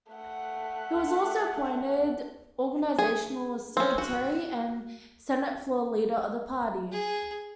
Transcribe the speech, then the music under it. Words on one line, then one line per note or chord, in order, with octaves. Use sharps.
He was also appointed organisational secretary and Senate floor leader of the party.
A3 F#5
G#4
C4 C#4
F#4
G#4